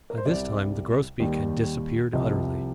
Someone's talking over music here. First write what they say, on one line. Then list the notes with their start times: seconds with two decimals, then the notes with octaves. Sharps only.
By this time the grosbeak had disappeared utterly.
0.10 A#4
0.18 C5
0.26 C2 C3 G3 D5
1.20 D#2 D#3 G3
2.13 C2 C3 F3 D#5